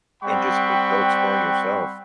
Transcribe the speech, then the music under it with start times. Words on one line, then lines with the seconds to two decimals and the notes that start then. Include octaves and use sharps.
and just g go exploring yourself
0.23 G3 C4 F#5 G5 B5 C#6